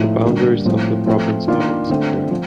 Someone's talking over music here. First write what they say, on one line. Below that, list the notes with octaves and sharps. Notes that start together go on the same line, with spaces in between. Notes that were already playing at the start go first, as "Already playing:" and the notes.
The boundaries of the province are obscure.
Already playing: A2 F3 A3 D#4
D3 G3 A#3
A2 F3 C4
F3 A3 C4
D#3 A#3 D4 F4
D3 A3 C4
F3 C4